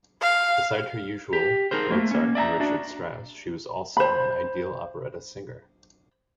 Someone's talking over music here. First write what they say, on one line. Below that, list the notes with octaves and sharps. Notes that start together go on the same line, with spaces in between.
Besides her usual Mozart and Richard Strauss, she was also an ideal operetta singer.
F5
G4
D#4 G#4 A#4 C5
A3 A#3
A#3 C#4
D5 E5 G#5 A#5
D4 F#4 D5
C5 B5